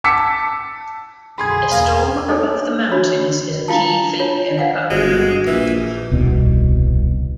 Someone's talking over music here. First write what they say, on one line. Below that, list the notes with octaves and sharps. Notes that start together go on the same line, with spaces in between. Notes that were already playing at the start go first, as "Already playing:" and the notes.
A storm above the mountains is a key theme in the poem.
A5 D6 E6 B6 C#7
B1 F#2 D3 G#4 B5 C6 G#6
E2 A#3 F5 A#5
D4 D#4 G#4 A4 C#5 D5
D4 F#4 C#5 B5
D4 E4 F4 F5 G5 A5
D4 F4 C#5
D5 F5 F#5 G#5
G1 G#3 F#4
A#1 E3
D#1 C2 B2